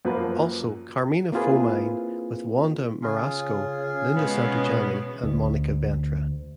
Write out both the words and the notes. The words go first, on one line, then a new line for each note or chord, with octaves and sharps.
Also "Carmina Foemine" with Wanda Marasco, Linda Santojanni and Monica Ventra.
F#2 F3 F#3 A#3 B4
A#3 C4 E4 F4 G#4 B4
C#3 F4 G#4
B2 G#3 B3 C#4
D2